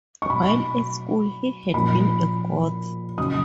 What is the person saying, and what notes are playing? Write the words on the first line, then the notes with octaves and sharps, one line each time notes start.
While at school, he had been a Goth.
C#6
B2 F#3 B5
A#2 F3 B5
C#3 F#3 D#6